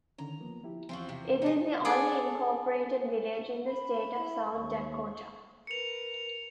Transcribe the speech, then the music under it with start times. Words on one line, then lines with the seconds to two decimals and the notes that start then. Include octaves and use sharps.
It is the only incorporated village in the state of South Dakota.
0.18 D3 D#3 C#4 A#5
0.40 F3 A#3 B3
0.63 F3 E4 G4
0.89 E2 E3 F3 C4 F4 F#4
1.09 C3
1.42 D#4 G#4
1.85 G#4 A4 D5
3.67 B5
4.15 E4
4.48 D#2 C#6
5.67 A#4 B4 C#7 F7